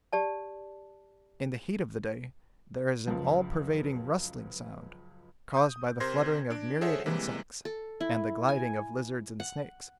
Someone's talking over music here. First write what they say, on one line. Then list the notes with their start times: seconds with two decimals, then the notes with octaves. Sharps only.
In the heat of the day there is an all-pervading rustling sound, caused by the fluttering of myriad insects and the gliding of lizards and snakes.
0.13 G4 D5 A5
3.07 C#2 F#2 F3
5.54 D#6 G6
6.00 C3 A#4 C5 C6 G#6 A#6
6.50 D4 D7
6.81 G#4 A4 C5 C#5 E5 F#5
7.06 C3 E3 G3 G#3 A#3
7.65 A4
8.01 E4
8.49 G#5
9.40 F#5